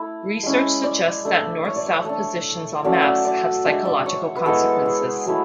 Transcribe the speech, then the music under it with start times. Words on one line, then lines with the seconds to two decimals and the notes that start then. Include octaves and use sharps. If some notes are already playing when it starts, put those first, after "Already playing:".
Research suggests that north-south positions on maps have psychological consequences.
Already playing: A3 E4
0.43 G#3 C#4 E4
0.84 D5
1.25 A3 D4
1.65 C#5
1.76 D5
1.86 C#5
2.04 A3 D4
2.84 F#3 A3 C#4 D5
2.93 E5
3.02 D5
3.25 D5
3.65 G#3 D4 E5
3.85 D5
4.06 C#5
4.36 B4
4.46 G#3 B3 E4 A4
4.86 G#4
5.26 F#3 A3 E4